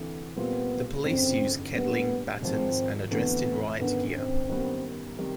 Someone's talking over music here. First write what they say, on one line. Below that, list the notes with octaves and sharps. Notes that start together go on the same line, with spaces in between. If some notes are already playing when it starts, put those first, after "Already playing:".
The police use kettling, batons and are dressed in riot gear.
Already playing: D2 C3 E3 A3
A#2 G3 B3 C4 F4
G1 F2 C#3 C4
A#1 A#2 G3 B3
G#1 G#2 F3 C4
D2 C3 E3 A3 B3
G#1 F#2 D3 B3
C4
F#2 D#3 G3 B3
C3 D#3 G3